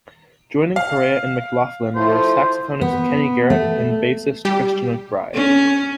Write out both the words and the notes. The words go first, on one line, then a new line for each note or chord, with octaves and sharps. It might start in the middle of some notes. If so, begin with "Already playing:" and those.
Joining Corea and McLaughlin were saxophonist Kenny Garrett and bassist Christian McBride.
F5
F3 A3 E4 C5
B3
A3
G3 G4
C#4